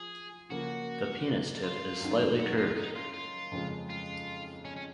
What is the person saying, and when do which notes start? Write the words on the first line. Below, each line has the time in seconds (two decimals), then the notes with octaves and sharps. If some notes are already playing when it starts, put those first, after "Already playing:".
The penis tip is slightly curved.
Already playing: F3 G#4
0.50 C#3 F3 A#3 F#4
1.63 F4
2.01 F#2 D#3 F#3 C#4
2.39 F#4
2.58 F4
2.76 D#4
2.95 F4
3.14 F4
3.51 F2 C#3 F3 G#3
3.90 F4
4.65 C#4
4.76 C#4